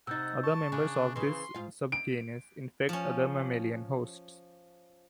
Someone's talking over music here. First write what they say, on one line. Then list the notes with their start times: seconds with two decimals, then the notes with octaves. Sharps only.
Other members of this subgenus infect other mammalian hosts.
0.07 C3 D#4 F#5 E6 G6 A6
0.44 A5 C#6
0.72 C#3 D4
1.16 C#3 E3 C6
1.54 G#2 F4 F5
1.92 D7
2.89 F3 C#4